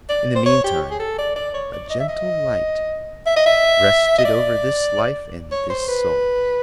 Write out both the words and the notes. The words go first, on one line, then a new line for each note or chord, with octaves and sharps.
In the meantime a gentle light rested over this life and this soul.
D5
C5
C#5
G4
G#4
A4
D5
D5
C#5
D5
D#5
E5
D#5
E5
D#5
E5
D#5
D5
C#5
C5
B4